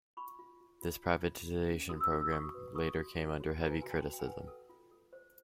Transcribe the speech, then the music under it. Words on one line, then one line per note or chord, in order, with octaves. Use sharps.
This privatization program later came under heavy criticism.
F4 B5 C#6
F4
F4
F4
F4
F4
F4
C#4
F#4 D#6
E6
F#4 D#6
E6
F#4 C#6 D#6
B4
A4 C#6 D#6
F#4
C#5
F#4
B4 G#5 A#5
F#4 G#5
G5 A5
B4
G5
F#5 G#5
B4
A4
F4
A4
C5